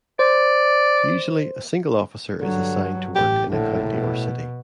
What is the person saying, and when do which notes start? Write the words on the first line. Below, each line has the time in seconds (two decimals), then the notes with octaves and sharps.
Usually a single officer is assigned to work in a county or city.
0.19 C5 D5
2.40 G2 D3 F#3
3.15 A1 G4
3.50 A#1 A2 D3
3.89 B2